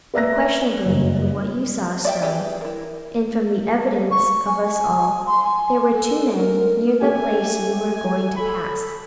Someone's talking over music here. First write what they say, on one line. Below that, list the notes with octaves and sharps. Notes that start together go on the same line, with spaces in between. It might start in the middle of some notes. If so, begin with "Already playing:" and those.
Unquestionably, from what you saw, Stone, and from the evidence of us all, there were two men near the place you were going to pass.
B4 D5 E5 A#5 F#6 A#6
F#1 G2
D5 E5 G5
G4 G#4 B4 D5
E4 A#4
C#6
G#5
C6
G#5
A4
A#4
A3 G4 G#5
A4 B5